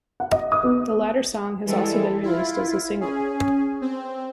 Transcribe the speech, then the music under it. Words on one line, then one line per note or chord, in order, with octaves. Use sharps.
The latter song has also been released as a single.
F#5
D#5
D#6
B3
E3 G3 G#3 A4
E4 F4
C#4 G#4
C4